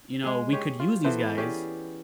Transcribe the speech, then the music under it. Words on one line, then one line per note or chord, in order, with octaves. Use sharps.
you know, we could use these guys
G#3 G#4
G4 G#4 C#5
F4
E3 B3 A4 C5
C#4 G4 G#4 D5